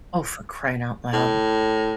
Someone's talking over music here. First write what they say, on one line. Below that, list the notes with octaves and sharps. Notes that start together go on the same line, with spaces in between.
Oh, for crying out loud.
A2